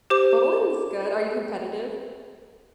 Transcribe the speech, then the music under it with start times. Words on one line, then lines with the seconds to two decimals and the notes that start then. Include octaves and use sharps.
bowling's good. Are you competitive?
0.10 G4 C5 D6